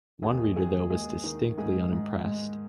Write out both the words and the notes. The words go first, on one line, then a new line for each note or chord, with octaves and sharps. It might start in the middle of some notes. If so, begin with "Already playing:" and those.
One reader though was distinctly unimpressed.
D#2 G#4
D#2 G#4
G#3 G#4
D#3
G#2 G#4
G#2
G#3